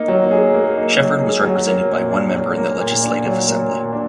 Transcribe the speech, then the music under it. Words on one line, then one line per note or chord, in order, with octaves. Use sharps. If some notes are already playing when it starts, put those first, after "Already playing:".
Shefford was represented by one member in the Legislative Assembly.
Already playing: A#3 D#4
F#3
G#4
A#3
D#4
F#3
G#4
F#3
A#3
A#2
D4
F#3
A#3
A#2
D4
F#3
A#3
A#2
D4